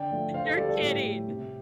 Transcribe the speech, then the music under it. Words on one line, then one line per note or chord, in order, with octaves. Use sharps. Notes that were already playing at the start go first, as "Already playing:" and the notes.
You're kidding.
Already playing: D3 D5 G5
F3 A3
D3 C5 F5
A4
G3 A4 D5
A4
A2 G4
A3
C3